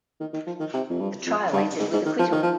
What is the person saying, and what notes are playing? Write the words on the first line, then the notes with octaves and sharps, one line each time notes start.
The trial ended with acquittal.
D#3
D#3
F3
D#3
C3
F2
G2
F2
G2
G#2
G#2
D#3
F3
D#3
F3